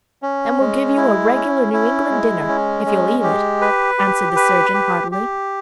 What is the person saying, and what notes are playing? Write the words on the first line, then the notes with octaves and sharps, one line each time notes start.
And we'll give you a regular New England dinner, if you'll eat it,' answered the surgeon heartily.
C#4
G#3
E4
C#4
E4
G#3
C#4
G#3
G4
B4
G4
B4
G4
G4